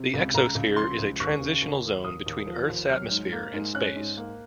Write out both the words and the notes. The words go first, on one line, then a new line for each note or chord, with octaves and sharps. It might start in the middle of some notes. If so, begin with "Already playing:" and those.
The exosphere is a transitional zone between Earth's atmosphere and space.
Already playing: C3
C#2
C#2 A#5
C#2
F3 C6
C#2
D#2 C#6
C#3
D#2
D#2
D#2 D#6
D#2
F3
D#2
F#3 F6
G#2
A#3
G#2
C#4 F#6
G#2
A#3